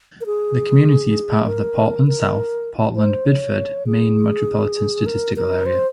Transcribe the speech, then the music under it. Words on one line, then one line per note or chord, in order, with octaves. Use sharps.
The community is part of the Portland-South Portland-Biddeford, Maine Metropolitan Statistical Area.
A#4
G#4
A#4
A#4
C5
C#5
G#4
A#4
A#4
C5